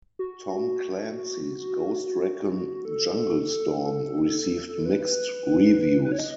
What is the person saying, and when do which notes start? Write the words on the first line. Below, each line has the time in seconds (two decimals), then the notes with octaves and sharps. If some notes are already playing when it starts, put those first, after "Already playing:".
"Tom Clancy's Ghost Recon: Jungle Storm" received mixed reviews.
0.19 F#4
2.85 A4
4.86 B4
6.05 B4
6.12 C#5
6.19 D#5